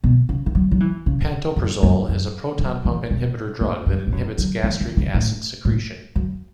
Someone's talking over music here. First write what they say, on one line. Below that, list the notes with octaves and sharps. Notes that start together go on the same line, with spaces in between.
Pantoprazole is a proton pump inhibitor drug that inhibits gastric acid secretion.
B2
C#3
E3
F#3
F#3
E3
C#3
F#2
F#2
F#2
F#3
E3
B2
A2
F#2
A2
F#2
F#3
E3
E3
C#3
A2
A2
F#2